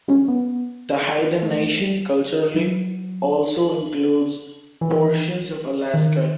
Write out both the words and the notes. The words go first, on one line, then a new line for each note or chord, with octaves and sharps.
The Haida Nation, culturally, also includes portions of Alaska.
C#4
B3
A3
F#3
E3
D#3